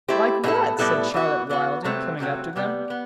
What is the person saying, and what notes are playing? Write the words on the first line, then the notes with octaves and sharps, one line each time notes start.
"Like what?" said Charlotte Wilding, coming up to them.
A3 E4 G4 C5
A2 G3 B3 E4 A4
A2 G3 B3 E4 A4
E3 B3 F#4
E3 B3 F#4
C3 F#3 A3 C4
C3 F#3 A3 C4
C3 G3 B3
B3